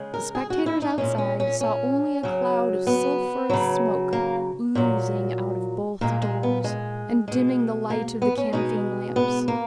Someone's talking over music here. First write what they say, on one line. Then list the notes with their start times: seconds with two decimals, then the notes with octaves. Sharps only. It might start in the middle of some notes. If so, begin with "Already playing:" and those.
The spectators outside saw only a cloud of sulphurous smoke oozing out of both doors, and dimming the light of the camphine lamps.
Already playing: C#3 G#3
0.14 A#4
0.35 G#4
0.50 F#4
0.66 E4
0.82 D#4
0.98 A#2 G#3 C#4
1.18 C#4
1.40 C#4
1.61 C#4
2.23 C#3 F#3
2.87 B3
3.50 C#3 F#3
4.13 A#3
4.75 A#2 F#3
6.01 A#2 G#3 A#3
6.22 G#3
6.43 B3
6.64 G#3
7.28 B2 G#3
7.90 A#3
8.22 B3
8.37 C#4
8.53 B2 G#3 D#4
9.16 B3
9.48 A#3